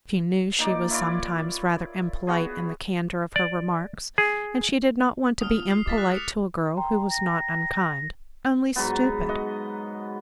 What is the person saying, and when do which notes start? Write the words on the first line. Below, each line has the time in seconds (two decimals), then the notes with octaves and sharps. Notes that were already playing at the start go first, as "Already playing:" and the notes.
She knew she was sometimes rather impolite in the candor of her remarks, and she did not want to be impolite to a girl who was not unkind--only stupid.
0.59 A#2 D#4 D5
0.90 E4 F4 C#5 D5
2.27 B3 F#4 G#4
3.36 D5
4.18 G#4
5.41 E1 D2 D#6 F6
5.56 F3
5.69 C7
5.86 G#3 F4 G#4 D6 A6 B6
5.98 F#6
6.15 C#7 F7
6.77 G5 A#5 C6
7.11 A#6
8.76 G#2 F#3 B3
9.29 D#5 F#5